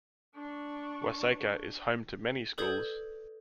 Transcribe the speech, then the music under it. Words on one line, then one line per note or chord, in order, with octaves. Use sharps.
Waseca is home to many schools.
D4 C#6
A4 B4 D5 D#6 G6 G#6